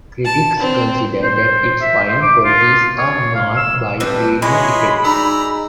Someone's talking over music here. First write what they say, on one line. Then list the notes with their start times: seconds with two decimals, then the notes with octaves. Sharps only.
Critics consider that its fine qualities are marred by leaden effects.
0.25 A5
0.59 C4
1.22 C5
1.81 E5
2.07 C5
2.22 D6
2.44 F4
2.98 C#5
3.35 F5
3.57 E6
4.00 G3 A3 C4 B4
4.42 G#3 E4 F#4 G#4 C#5 B5 C6
5.04 D#4 D5 A#5 E6